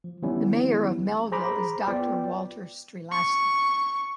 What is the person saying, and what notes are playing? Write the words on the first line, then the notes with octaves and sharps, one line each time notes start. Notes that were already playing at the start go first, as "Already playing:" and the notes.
The mayor of Melville is Doctor Walter Streelasky.
F3
D#3 F3 G3 B3 C#4 E4
G#4 C5 A#5 B5 D6
B3 F4 B4 D5 G5
C#6